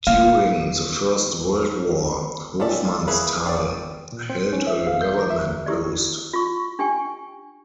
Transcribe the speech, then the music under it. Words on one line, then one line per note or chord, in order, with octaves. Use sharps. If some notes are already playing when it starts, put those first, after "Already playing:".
During the First World War Hofmannsthal held a government post.
A#3 F5
D#3 C#4 A4 D5 E5
F4
E3 A#3 E4 G#4 B4
F4 G4 G#4 C#5 D5
A#2
C4
C#4
E5
F5
G6
A#4
E5
E4 G4 D5
F4 C#6
D4 G4 G5 G#5 C#6